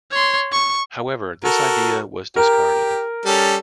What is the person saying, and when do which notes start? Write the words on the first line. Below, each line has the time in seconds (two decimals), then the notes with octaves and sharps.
However, this idea was discarded.
0.11 C#5 C6
0.52 C#6
1.44 F#4 A4 A#4
2.36 G4 A#4
3.25 G3 C#4 A4